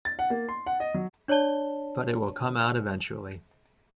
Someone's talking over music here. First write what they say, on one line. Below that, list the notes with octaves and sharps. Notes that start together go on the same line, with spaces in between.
But it will come out eventually.
A6
F#5
A#3
C6
F#5
D#5
F#3
D4 C#5 D5 A5 G7